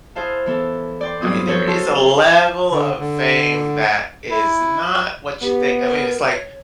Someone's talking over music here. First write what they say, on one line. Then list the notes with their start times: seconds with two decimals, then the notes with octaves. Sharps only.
I mean, there is a level of fame that is not what you think, I mean, it's like,
0.15 E4 G#4 C5 F5 A5
0.46 E3 B3 A4
1.01 D5 G5 C6
1.22 G2 F#3 B3 C4 F4 D#6
1.47 F3 F4 F#4 A4 C#5 G6
1.67 F4 F#4 C5 A5 C6 E6
2.71 D3
2.99 D3
4.30 E4
5.42 B3 G4
5.88 A#4
6.28 C#5